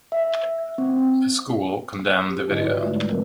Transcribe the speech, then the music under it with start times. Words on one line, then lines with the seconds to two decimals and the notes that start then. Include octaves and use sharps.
The school condemned the video.
0.12 E5
0.78 C4
2.29 G4
2.48 G#2 D3 E4 F4 D#5 D6
2.60 D#4 E4 F#4 B4 C#5 D5
2.79 G#3 A3 F4 B4 E5
2.93 G3
3.07 D3 E3 F#3 C4 A#4 B4